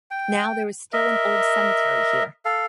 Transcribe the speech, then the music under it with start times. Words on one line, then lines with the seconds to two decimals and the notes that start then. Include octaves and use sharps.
Now there is still an old cemetery here.
0.11 G5
0.93 A#4 D#5 E5
2.45 A4 F5